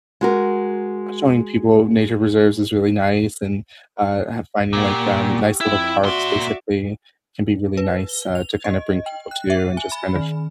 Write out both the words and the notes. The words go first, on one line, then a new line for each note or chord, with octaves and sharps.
showing people nature preserves is really nice and, uh, finding, like, um, nice little parks basically can be really nice, uh, to kinda bring people to and just kind of
G#3 F#4 A#4
A#2 F#4 G4
F2 E4 G5
A#2 F#4 D5 E5 C6
B4
G7
F7
D#5
G5
F#6
E5
G#5
B5
D#3